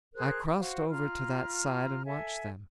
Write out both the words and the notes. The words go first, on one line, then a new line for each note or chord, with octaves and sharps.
I crossed over to that side and watched them.
G#4 A#4 C5 F#6
F#4 C5 F5
F4 A#5 F6
A4 E5 G#5